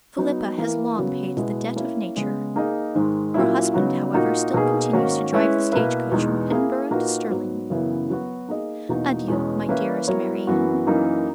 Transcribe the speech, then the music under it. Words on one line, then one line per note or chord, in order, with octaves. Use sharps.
Philippa has long paid the Debt of Nature, Her Husband however still continues to drive the Stage-Coach from Edinburgh to Sterling:--Adeiu my Dearest Marianne.
F#3 B3 D#4
E3 A#3 E4 A#4
C#3 F#3 B3
B2 G#3 B3 E4 B4
A#3 C#4 E4
C#3 G#3 B3
A#3 D#4 G#4 D#5
G#2 D#3 G#3
A#2 F#3 A#3 C#4 E4
C#3 F#3 B3 D#4 F#4
A#2 A#3 D#4 F#4
B2 A#3 D#4 G#4
G#2 D#3 A#3 C#4 F#4
G#3 C#4 E4 B4
B2 A#3 E4 B4 E5
E2 B2 G#3 D#4
A#3 E4 G#4
A#2 A#3 D#4 F#4 B4
G#2 F#3 B3
F#2 C#3 E3 B3 E4
F#3 B3 F#4
A#3 D#4 G#4 D#5
E2 B2 A#3 D#4 F#4
E2 B2 G#3 C#4
E3 A#3 C#4 E4 B4
F#3 B3 E4 A#4 C#5
F#2 E3 B3 F#4
F#2 E3 A#3 D#4